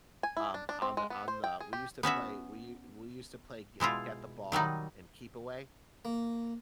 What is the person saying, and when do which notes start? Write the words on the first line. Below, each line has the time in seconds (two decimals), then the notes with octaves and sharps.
um, on the on the we used to play we u we used to play g get the ball and keep away,
0.23 G#5
0.37 E4
0.54 D4
0.69 D4
0.82 C4
0.97 G#3
1.10 B3
1.28 C5
1.44 G5
1.60 G#4
1.73 G4
2.03 B3 C#4 F#4 E5
3.80 B2 G#3 E4 F4
4.52 D#3 F#3 G3 D#4
6.05 A#3